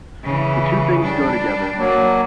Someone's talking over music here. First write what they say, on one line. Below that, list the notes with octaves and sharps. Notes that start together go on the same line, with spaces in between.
The two things go together.
C#3 E3
G3 D4
F#3 A#3